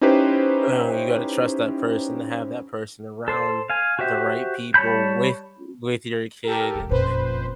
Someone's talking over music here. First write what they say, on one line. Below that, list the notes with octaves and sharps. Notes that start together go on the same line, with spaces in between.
uh, you gotta trust that person to have that person around the right people with, with your kid, and
C#4 D#4 E4 G4 B4 C5
A4 C5
F5 G#5
F#4 G4 C5 E5
G3 C#5 A5 B5 G6
G4 A4 A#4
E1 E2
F#1 F2 A#2 B4 C5